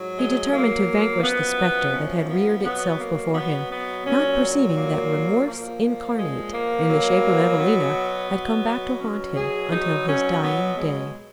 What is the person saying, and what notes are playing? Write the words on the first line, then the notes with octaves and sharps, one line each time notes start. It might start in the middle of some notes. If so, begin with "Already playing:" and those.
He determined to vanquish the spectre that had reared itself before him, not perceiving that Remorse incarnate, in the shape of Evelina, had come back to haunt him until his dying day.
Already playing: G#2 F#3
G#3
A#3
F#2 F3 B3
C#4
B3
B2 F#3 B3
A#3
B3
B3
A#2 F#3 C#4
A#3
A#2 F3 A#3
G#3
A#3
B2 F#3
B3
B2 F#3
C#4
G#4
B2 F#3 D#4
C#4
B3
G#3